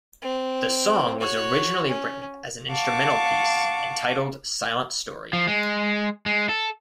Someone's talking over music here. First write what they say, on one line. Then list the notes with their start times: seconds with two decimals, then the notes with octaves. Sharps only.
The song was originally written as an instrumental piece and titled Silent Story.
0.22 C4
1.19 F#4 C#5
1.88 C#4
2.69 F5 F#5 A5 C#6 D6
5.33 F3
5.47 G#3
6.26 G#3
6.49 A4